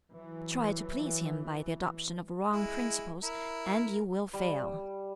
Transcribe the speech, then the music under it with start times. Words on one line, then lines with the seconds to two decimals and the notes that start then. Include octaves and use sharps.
Try to please him by the adoption of wrong principles, and you will fail.
0.10 E3 F#3
2.52 G#3 E4
3.23 E4 A#4
4.33 G3